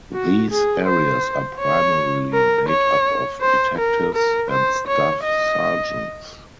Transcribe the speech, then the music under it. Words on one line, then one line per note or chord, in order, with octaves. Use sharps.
These areas are primarily made up of detectives and staff sergeants.
F#4
G#4
C5
C#5
A#4
C#5
C5
A#4
A#4
C5
C#5
D#5